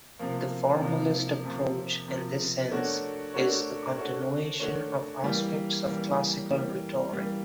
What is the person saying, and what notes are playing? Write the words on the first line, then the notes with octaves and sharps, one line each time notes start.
The formalist approach, in this sense, is a continuation of aspects of classical rhetoric.
C3 F3 A#3
C3 F3 A#3
C3 F3 A#3
C3 F3 A#3
A3 D4 F#4 A#4 C#5
A3 D4 F#4 A#4 C#5
A3 D4 F#4 A#4 C#5
A3 D4 F#4 A#4 C#5
E3 G3 A#3
E3 G3 A#3
E3 G3 A#3
E3 G3 A#3